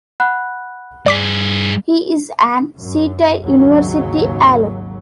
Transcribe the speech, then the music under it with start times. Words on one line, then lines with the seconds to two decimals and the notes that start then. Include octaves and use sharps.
He is an Seattle University Alum.
0.20 F#5 B5 F#6
1.06 G2 G#4 D5 D6 B6
2.78 F#2
3.41 G#1 D#2 C#3 F#3